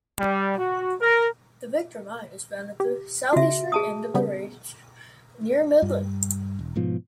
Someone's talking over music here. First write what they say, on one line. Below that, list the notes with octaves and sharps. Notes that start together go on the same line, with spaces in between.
The Victor Mine is found at the southeastern end of the range near Midland.
G3
F#4
A#4
G4
C#3 F4 F#4 E5
G#4 A5 D#6
C#3 G3 B3
G2
E1
G#2 B2 F3